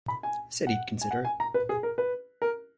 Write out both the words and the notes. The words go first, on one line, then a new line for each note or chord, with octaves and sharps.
Said he'd consider it.
B5
G#5
F#5
G#5
F#5
G#5
A#5
B4
G#4
A#4
B4
A#4